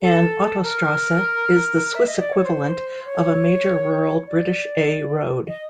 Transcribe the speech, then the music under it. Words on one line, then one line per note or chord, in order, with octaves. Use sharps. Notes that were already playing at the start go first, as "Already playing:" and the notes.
An "Autostrasse" is the Swiss equivalent of a major rural British "A" road.
A4
A#4
E5
D#5
D5
C#5
C5
C#5
D5
D#5